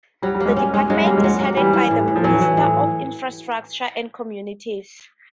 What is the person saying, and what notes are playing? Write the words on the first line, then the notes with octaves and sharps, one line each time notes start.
The department is headed by the Minister of Infrastructure and Communities.
F#3 G3
G3
A#3
G#3
G3 C#4
G#3 C#4
F#3 G#3
G3 A#3
G#3
F#3
A#3
E3 G3
E3
A2
A2
F3
E3 F#3
E3
A2